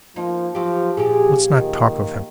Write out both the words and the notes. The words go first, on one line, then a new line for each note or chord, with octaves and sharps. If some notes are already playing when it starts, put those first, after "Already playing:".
Let's not talk of him.
F3 A#3 D#4
F3 F#3 G4
A#2 F3 G4 G#4
D#3